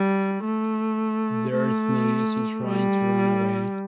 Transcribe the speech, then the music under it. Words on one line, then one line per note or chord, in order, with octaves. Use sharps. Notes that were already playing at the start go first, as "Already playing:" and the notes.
There’s no use in trying to run away.
Already playing: G3
A3
A3
G3